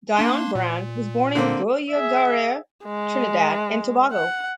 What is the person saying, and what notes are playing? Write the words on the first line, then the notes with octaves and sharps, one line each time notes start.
Dionne Brand was born in Guayaguayare, Trinidad and Tobago.
A#3 D4 C6
A#2
D3 A#3 C4
G#4 E5
G#3
F#5